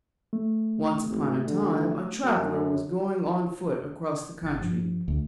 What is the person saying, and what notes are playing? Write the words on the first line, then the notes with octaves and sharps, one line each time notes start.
Once upon a time, a traveler was going on foot across the country.
A3
G#1
D3
F#2
G1 A6
G2 F3
D2